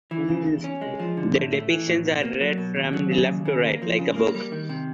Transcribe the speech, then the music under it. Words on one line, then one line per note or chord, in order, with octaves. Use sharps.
The depictions are read from left to right, like a book.
E3
C#3
E2
C#4
G#3
F3
D3
A2
A3
E3
A2
B2
A#3
F#3
B2
D#2
F#3
C#3
D#2
C#3
A#3
F3
C#3
A#3
G3
D#3
C3